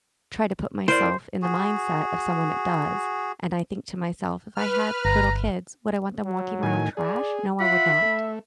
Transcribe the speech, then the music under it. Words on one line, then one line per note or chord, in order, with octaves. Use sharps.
try to put myself in the mindset of someone that does, and I think to myself, "If I had little kids, would I want them walking around trash?" No, I would not,
E4 A#4 C5 D5
F#4 G#4
B4 F6
G1 A#5
F#3
A2 D#3 G#5
G#4 D5
F4 E5 F#5 B5
A3